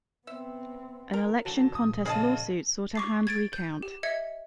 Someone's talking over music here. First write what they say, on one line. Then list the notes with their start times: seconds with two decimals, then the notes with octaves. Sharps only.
An election contest lawsuit sought a hand recount.
0.27 B3 C4 E5
1.13 A#4
1.45 D3 F#3 A5 E7
1.75 A#1 D#6
2.05 C#3 G#4 D#5 A5
2.95 C#6 D6 C7
3.27 G#6 A6 D7
3.53 G6
3.83 G4
4.03 D#5 E5 G#6 C#7